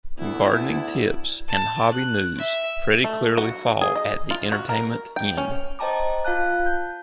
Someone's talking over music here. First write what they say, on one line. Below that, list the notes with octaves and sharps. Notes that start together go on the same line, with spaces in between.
Gardening tips and hobby "news" pretty clearly fall at the entertainment end.
D2 B3 E4
A5
F#6
E5
A3
F#4
G#4
D#5
F4
F#4
A#4
G5
C#4
C5 D#5 G5 A5 A#5 D6
F4 F5 A5 F#6
G6